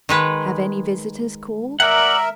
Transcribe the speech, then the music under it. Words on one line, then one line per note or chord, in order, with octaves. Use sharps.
"Have any visitors called?"
D#3 G#3 B4
A#4 D5 E5 F#5